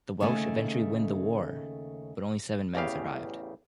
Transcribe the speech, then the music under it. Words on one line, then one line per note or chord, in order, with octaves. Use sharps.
The Welsh eventually win the war, but only seven men survived.
D#2 C#3 A3 G#5
A1 E2 C#3 G4 F5